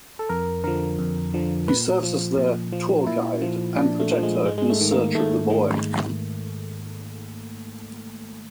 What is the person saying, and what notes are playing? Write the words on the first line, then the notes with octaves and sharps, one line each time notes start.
He serves as their "tour guide" and protector in search of the boy.
A4
F2 A#4
D3 F3 A#4
F2
D3 F3
A#2 B4
F3
A#2
F3
A#2 E4
F3
A#2 D4
A3
F3
G#3
G#2 G#3
G#3
A3
D#3
A#3
G#2 A3
D#3 G#3